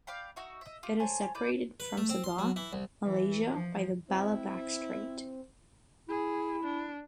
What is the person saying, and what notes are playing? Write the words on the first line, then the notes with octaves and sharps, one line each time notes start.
It is separated from Sabah, Malaysia, by the Balabac Strait.
D5 F5 G5 B5
D#4 F#4 E5
D#5 E5
F4 G4
C5 C#5 G#5 A5
E4 B4 D5 G6
B4
A3
C4
C6
F#3
E3
C2
E3
F3
C4 E4
E4 G#4
D4